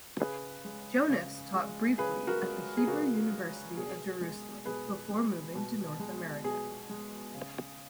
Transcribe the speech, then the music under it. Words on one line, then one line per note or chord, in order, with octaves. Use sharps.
Jonas taught briefly at the Hebrew University of Jerusalem before moving to North America.
C#3 G#4 B4
G#3
C#3
G#3
C#3 G#4 B4
F#4 A#4
G#3
G#4
C#3 F#4 A#4
G#3
B2 G#4
G#3
B2 G#4 B4
G#3
B2
G#3
B2 G#4
G#3
C#3